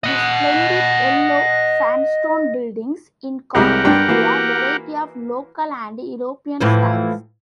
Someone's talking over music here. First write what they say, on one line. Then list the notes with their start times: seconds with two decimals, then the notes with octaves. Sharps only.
These splendid yellow sandstone buildings incorporate a variety of local and European styles.
0.04 D#5 F#5
3.55 C2 C3 G#3 G4 A#4 F#5
3.85 G2 D4 G5
4.08 E3 A#3 F#4
6.61 A2 E3 F3